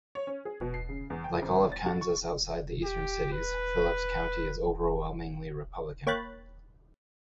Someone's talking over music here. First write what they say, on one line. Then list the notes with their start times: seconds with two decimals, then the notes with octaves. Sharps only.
Like all of Kansas outside the eastern cities, Phillips County is overwhelmingly Republican.
0.15 C#5
0.27 C#4
0.45 G#4
0.61 B2
0.74 C7
0.89 C#3
1.10 E2
1.24 G5
1.42 G#1
1.72 A6
1.86 F#4
2.01 C#6
2.84 G4
3.33 B4
6.07 A#3 C#5 G5 B5 F#6 A6